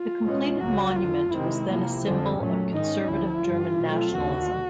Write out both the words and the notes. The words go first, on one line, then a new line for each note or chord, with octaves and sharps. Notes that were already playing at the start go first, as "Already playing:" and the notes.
The completed monument was then a symbol of conservative German nationalism.
Already playing: F4
B2 G#3 C#4
C#2 C#3 F#3 A#3 F#4
F2 D3 F#3 F4
C3 D#3 G#3 C4 E4
C3 F3 A#3
F2 D3 F3 G#3 C4
A#2 F#3 A3 C#4
G#2 D#3 G#3 C#4 D#4
D2 D3 F3 E4
G2 D3 G3 F4
B2 F#3 A3 C4
D#2 D3 F3 F#4